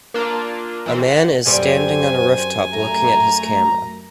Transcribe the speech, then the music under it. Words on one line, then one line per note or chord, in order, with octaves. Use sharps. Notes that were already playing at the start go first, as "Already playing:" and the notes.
A man is standing on a rooftop looking at his camera.
A#3 D4 F4 A#4
E3 C4
F#5
F#2 G3 C4 C5 G#5
A3 A#5